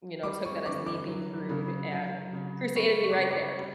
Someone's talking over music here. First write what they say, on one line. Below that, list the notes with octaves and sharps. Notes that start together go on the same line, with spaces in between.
you know, took that as me being rude and crusaded me right there.
G3 D6
C#6
D3 D6
D6
F#3
C#3
F#3
C#3
G3 C#6
C#6
D6
C#3 C#6
D6
G3